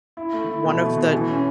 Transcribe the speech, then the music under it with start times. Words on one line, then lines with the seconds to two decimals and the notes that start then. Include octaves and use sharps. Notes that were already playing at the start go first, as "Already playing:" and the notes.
one of the
0.17 E4
0.33 A3
0.49 E4
0.64 B2
0.81 A3
0.97 B2
1.12 E3
1.28 C#4